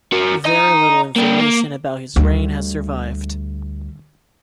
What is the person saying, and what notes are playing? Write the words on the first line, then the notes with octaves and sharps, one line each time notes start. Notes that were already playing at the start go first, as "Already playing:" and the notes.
Very little information about his reign has survived.
F#4 A#4
D#5 A#5
G3 A#3
A#3
D2 G3